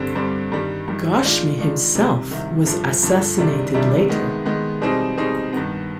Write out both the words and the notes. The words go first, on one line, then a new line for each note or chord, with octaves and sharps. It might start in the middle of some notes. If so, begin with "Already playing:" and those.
Ghashmi himself was assassinated later.
Already playing: G2 D3 G3 C4
G2 D3 G3 C4
G2 D#3 G3
G2 D#3 G3
D#3 G#3 D4 F4
D#3 G#3 D4 F4
C2 C3 D#3
C2 C3 D#3
G2 D3 F3
G2 D3 F3
C2 C3 D#3 G3 D4
C2 C3 D#3 G3 D4
D#3 G#3 B3
D#3 G#3 B3
B2 G3 C4 D#4 G#4
B2 G3 C4 D#4 G#4
G2 D#3 B3